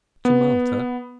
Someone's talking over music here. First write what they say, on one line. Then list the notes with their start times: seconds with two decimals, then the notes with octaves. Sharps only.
"To Malta?"
0.25 B3